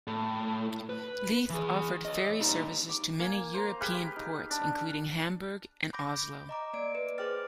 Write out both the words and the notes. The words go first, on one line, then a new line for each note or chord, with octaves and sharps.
Leith offered ferry services to many European ports, including Hamburg and Oslo.
A2
B4
E3 G#4
C#5 D#5
G3 D#4
D6
A#3 G#5
C5 A#5
G4 G#4 B4 F5
D#4
D4
B5 D6 G6 A#6
D#5 A#5 D6
A#3 D5 D7
B4
G#4 C5 G5 D6 F6 A6